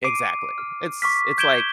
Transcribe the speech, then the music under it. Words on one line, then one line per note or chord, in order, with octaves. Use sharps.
Exactly. It's it's like
D6 C7 D7 D#7
F6
C#6 D6 F6 B6
G6 G#6 D7 E7 G7